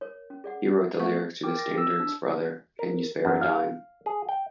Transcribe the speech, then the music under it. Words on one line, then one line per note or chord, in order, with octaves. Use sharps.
He wrote the lyrics to the standards Brother, Can You Spare a Dime?
A#4 C#5
C#4
G#4 D5 F#5
E5
A3 E5 F5 C#6
A#4 G5 D6
A6 A#6
E6
D4
A#4
F#2
F5
G#4
G5